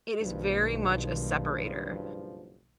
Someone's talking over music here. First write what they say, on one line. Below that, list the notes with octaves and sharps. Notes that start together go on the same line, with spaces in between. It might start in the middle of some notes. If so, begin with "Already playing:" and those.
it is very much a separator.
F#1 B1 G2 D#3 F3 A#3